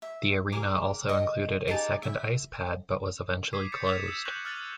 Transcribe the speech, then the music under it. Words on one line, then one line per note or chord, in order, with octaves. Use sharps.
The arena also included a second ice pad but was eventually closed.
E5
G4 G#4 A#4 D6
D#5 D#6
D#4 G4 G#4 A5
E5 G5 B5
D6 D#6 G#6 B6 C7 D#7
D#6 G6 A6 B6 C#7
D6 G#6 A6 B6 E7 F7
D#6 E6 B6 C7
C#6 F#6 G6 A#6 F#7
D#6 F6 F#6 A6 D#7 F#7